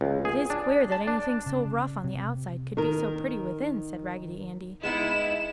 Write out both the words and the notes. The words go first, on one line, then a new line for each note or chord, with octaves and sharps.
"It is queer that anything so rough on the outside could be so pretty within!" said Raggedy Andy.
C#2
G#4
D4
A5
D4
C#3
C3
D#3 A#4
G#3 B3 D#4 E4 E7